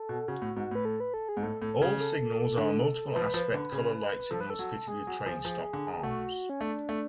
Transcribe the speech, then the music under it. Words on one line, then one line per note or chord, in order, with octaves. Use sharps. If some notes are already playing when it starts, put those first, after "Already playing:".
All signals are multiple aspect colour light signals fitted with train stop arms.
Already playing: A4
B2
C#3 F#4
A2
G#2 F#4
A2 B4
A4
B4
A4
G#4
G#2
A2 A4
A2 A4
C#3
A4
D3
F3 B4
F3
D3
C#3
F3 A4
B4
A4
F#3
G#3 G#4
F#3
F3
F3
D3
A3 F#4
C#4
A3 D4
A3